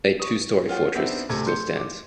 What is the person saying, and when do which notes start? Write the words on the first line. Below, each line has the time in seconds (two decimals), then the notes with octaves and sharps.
A two-story fortress still stands.
0.20 C#6 D#6
0.68 C#4 F4 F#5 G5
0.95 B3 C4 D4 D#4 E5 F#5
1.29 D1 C3 A4 G#6
1.47 C6 G6 C#7
1.76 D6